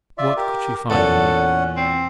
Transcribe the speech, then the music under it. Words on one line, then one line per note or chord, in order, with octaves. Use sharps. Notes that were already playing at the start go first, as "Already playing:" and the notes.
What could she find in me?
F4 D5 E5
G4 A#4
E2 A#2 C#4 A4 F#5
C4